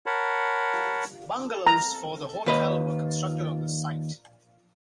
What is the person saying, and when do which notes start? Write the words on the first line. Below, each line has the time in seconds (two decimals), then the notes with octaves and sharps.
Bungalows for the hotel were constructed on the site.
0.06 A#4 C#5 F#5 A5 B5
1.67 A#5
2.46 D#2 B4 D#5